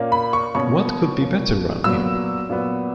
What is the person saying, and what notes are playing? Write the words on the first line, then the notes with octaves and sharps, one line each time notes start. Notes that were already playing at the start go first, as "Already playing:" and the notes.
What could be better round here?
Already playing: A#2 A#3 C#4
B5
C#6
B2 A#3 C#4 C#6
B2 A#3 C#4
A#2 F#3 B3 E6
A#2 F#3 B3